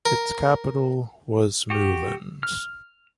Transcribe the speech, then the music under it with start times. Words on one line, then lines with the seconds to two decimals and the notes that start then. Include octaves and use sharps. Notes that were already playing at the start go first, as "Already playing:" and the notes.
Its capital was Moulins.
0.05 A#4
1.70 F#4 G4
2.43 F6